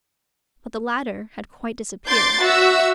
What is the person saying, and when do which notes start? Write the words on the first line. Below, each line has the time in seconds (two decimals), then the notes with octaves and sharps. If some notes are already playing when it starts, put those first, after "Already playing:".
But the ladder had quite disappeared.
2.08 C6 D6 G6 A6 C7
2.41 F#4 E5 E6